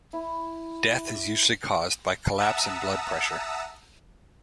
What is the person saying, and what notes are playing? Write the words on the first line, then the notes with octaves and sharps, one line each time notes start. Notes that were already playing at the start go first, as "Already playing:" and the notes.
Death is usually caused by collapse in blood pressure.
E4
E5 F#5 A5 A#5 D#6 E6